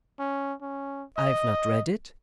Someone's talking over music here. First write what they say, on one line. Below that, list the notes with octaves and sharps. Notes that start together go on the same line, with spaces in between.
"I've not read it."
C#4
C#4
D#5